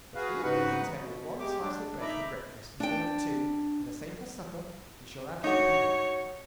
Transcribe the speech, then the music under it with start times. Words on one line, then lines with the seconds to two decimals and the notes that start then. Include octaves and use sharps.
If you will be content with one slice of bread for breakfast instead of two, and the same for supper, you shall have your penny.
0.15 F#4 G#4 B4 F5
0.43 G#2 C#3 D#4 F#4 B4 F#5
0.94 B2
1.40 G#3 G4 D6
1.63 D4
2.01 D#4 E5 A#5 B5 D6
2.80 D4 G5
5.44 D#4 F#4 C#5